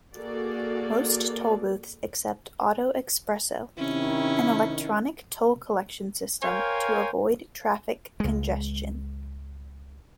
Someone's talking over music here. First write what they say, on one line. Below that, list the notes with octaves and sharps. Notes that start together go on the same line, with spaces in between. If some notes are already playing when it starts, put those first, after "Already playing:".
Most tollbooths accept "AutoExpreso", an electronic toll collection system, to avoid traffic congestion.
A#3 F#4 G#4 A4 D5
C3 D#3 C#4 E4
A#4 C5 C#5 F5 G5 G#5
C#2 G#3